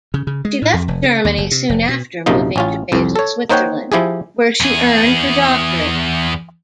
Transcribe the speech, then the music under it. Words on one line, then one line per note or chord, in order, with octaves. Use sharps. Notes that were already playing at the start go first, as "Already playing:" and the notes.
She left Germany soon after, moving to Basel, Switzerland, where she earned her doctorate.
C#3
C#3
G#3
A2
F2
F1
C#3
D#2
F#1
C3
F1
B2
A#1 F#2 C3 F3 A#3 D#4
A1 C#4 F4
C2 F2
A4 C#5
A#3 D#4 C5 C#5 F#5 G5
F3 E4 G4 G#4
E2 G#4